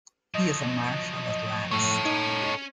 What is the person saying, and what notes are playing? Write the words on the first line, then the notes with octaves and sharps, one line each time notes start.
He is a marshal at last.
F3 F#3 D#5
A2 A4 C#5
C#4 D#4